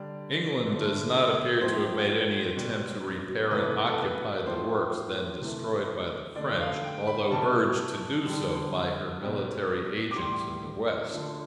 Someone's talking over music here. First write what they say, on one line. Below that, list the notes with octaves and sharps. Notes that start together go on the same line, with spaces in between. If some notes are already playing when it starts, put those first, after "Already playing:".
England does not appear to have made any attempt to repair and occupy the works then destroyed by the French, although urged to do so by her military agents in the West.
Already playing: D3 G3 D5
D3 A3
A2 F3 A3 C5
B2 G3
C3 E3 A3 B4
A4
B4
A2 F3 A3 C5
C3 E3 A3
D3 A3 D5
F5
G5
B5
C3 G3 A5
D3 G3
B2 G3
D6
A2 G3 C6
D3 F3 A3